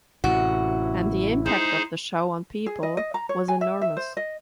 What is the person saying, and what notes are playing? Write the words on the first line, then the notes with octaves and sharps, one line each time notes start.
And the impact of the show on people was enormous.
A1 A2 C3 E4 F#4
G#3 D#4 G#4 C5
G#4
D#5
D#5
A#5
C#5
G#5
E5
E5
C5
D#5